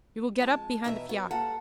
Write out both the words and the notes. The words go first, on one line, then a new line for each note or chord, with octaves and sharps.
You will get up behind the fiacre.
F2 G#3 A5
B2 E3 D#4 A#4 C#5 E5
B3 F#4
G3 A#3 A4 F#5